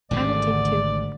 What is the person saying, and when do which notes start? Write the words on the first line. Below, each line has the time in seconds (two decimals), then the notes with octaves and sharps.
I will take two.
0.11 G#1 D2 G#2 C3 D5